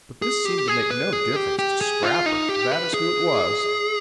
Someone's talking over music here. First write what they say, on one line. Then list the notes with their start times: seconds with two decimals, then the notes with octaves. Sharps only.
But this seemed to make no difference to Scrapper, for that is who it was.
0.22 G#4
0.45 G4
0.68 G#4
0.91 B4
1.13 G#4
1.36 G4
1.59 G4
1.81 G#4
2.03 F4
2.26 D#4
2.49 G4
2.71 B4
2.94 G#4